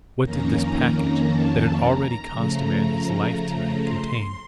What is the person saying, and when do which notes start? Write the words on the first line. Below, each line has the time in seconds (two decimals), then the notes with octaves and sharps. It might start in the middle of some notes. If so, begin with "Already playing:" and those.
What did this package, that had already cost a man his life to-night, contain?
0.23 F2 D#3 A#3 C#4 A#5
1.26 A5
1.78 A#5
2.28 C#3 F3 A3
3.82 C6